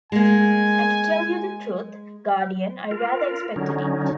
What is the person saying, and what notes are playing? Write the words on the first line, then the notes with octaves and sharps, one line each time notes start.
And to tell you the truth, guardian, I rather expected it.
G#3 A#3 G#5
F4 A#4
D3 F#3 C#4 D#4